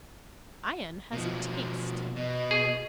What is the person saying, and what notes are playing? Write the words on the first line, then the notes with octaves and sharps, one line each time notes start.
"Iron has a taste."
B2 F3
B2 D#5
G#4